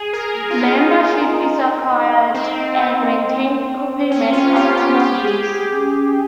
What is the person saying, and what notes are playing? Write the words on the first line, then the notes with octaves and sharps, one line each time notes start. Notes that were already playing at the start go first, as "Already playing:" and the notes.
Membership is acquired and maintained through payment of annual dues.
Already playing: G#4
A#4
G#4
F4
D#4
C4
C#4
F4
G4
G4
G4
G#4
G4